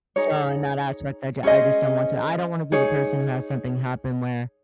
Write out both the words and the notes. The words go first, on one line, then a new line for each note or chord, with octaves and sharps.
so, in that aspect, I j I just don't want to I don't wanna be the person who has something happen where,
D#4 G#4 C#5
C#4 G#4 C5 D#5
D#4 G#4 C#5